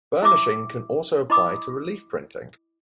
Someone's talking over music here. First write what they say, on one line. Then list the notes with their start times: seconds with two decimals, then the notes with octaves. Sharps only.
Burnishing can also apply to relief printing.
0.22 E4 E5 D6 E6
1.30 E4 D#5 B5 D6 D#6